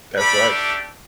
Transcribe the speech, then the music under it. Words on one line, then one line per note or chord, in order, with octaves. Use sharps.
That's right.
A3 D4 G4 B5